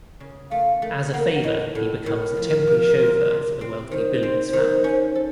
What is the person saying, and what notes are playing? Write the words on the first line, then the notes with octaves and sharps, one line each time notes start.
As a favor, he becomes a temporary chauffeur for the wealthy Billings family.
C#3
A3 F5
A3
A#3 F#5
A2 D#5
A2 A4
A2 A#4
F3
F3
C4
C3
C4
D#3 C5
C4
D#3
C#4
A4